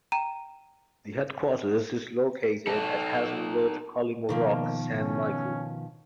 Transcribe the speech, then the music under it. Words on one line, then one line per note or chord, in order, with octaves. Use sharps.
The headquarters is located at Hazelwood, Collymore Rock, Saint Michael.
G5 A#5 D#7
D#4 A4
B2 D#3 F3 A#3
C#4